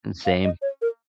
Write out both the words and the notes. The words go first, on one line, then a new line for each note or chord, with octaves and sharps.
And same.
F5
D#5
C#5
A#4